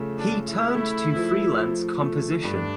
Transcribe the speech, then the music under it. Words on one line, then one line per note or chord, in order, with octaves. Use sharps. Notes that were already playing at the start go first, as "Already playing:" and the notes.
He turned to freelance composition.
Already playing: C#3 F3 A3
D4
A3
E4
A3
F3
F3
A3
G2 D4